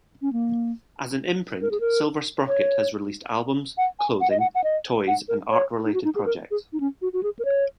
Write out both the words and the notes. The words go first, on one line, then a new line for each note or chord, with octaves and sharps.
As an imprint, Silver Sprocket has released albums, clothing, toys, and art-related projects.
C#4
A#3
A#4
G#4
A#4
C#5
F#5
G#5
F#5
D#5
F#5
F#5
D#5
F#5
A#4
C#5
D#4
F#4
D#4
G#4
A#4
G#4
D#4
C#4
F#4
F#4
G#4
A#4
C#5